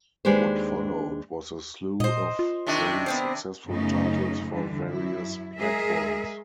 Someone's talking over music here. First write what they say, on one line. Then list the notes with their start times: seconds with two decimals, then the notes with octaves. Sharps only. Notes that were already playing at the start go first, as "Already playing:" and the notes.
What followed was a slew of very successful titles for various platforms.
0.25 D#2 G#3 D4 G4 B4 C5
2.00 A#2 C5 D#5
2.39 F4
2.67 C3 D#3 D4
3.06 B3 C4 C5
3.67 F#2 C#3 A3 B3 C#4 D#4
4.50 D3 E3 G3
4.88 F#2 E4
5.57 G#3 G#4 A#4 E5